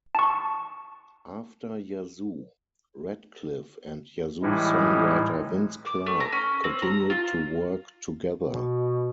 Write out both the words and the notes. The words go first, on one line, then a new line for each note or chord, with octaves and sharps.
After Yazoo, Radcliffe and Yazoo-songwriter Vince Clarke continued to work together.
A5 C#6
A2 E3 G3 G#3 D#4 E4
D6
A3
A#5
C#4
C4
A#5
F4
B2